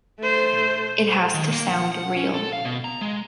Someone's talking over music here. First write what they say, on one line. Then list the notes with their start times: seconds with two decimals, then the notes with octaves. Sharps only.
It has to sound real.
0.19 A3 C5
1.34 D#3
1.52 A#3
1.70 F#5
1.92 F#5
2.17 C#4
2.34 A4
2.53 F5
2.65 B2
2.84 A#5
3.01 G#3